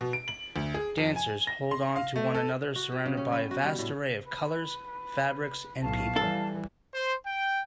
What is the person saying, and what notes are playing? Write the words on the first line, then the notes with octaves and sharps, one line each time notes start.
Dancers hold on to one another surrounded by a vast array of colors, fabrics and people.
B2
D7
F#7
D2
G#4
F2
G#5
A#6
C6
F5
A3
A4
F#4
G4
C#3
C#4
B3
F#4
G3
A2
B4
B1 A2 F5 A5
E3 G3 A4
C5
G5